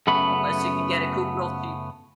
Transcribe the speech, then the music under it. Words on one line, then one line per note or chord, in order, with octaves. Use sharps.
unless you can get a coop real cheap.
F#2 C#3 A3 B3 B5